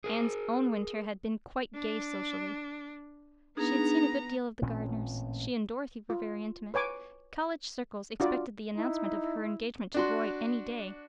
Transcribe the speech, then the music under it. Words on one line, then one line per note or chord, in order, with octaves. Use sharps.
Anne's own winter had been quite gay socially. She had seen a good deal of the Gardners; she and Dorothy were very intimate; college circles expected the announcement of her engagement to Roy any day.
G#4 A#4
D4
B3 D4 D#4 G#4 A#5
A1 A#2 C4 C#4
F4
B4 C#5 G#5 D6
D4 F4 F#4 D5
D#4 E4
D4 F#4 C6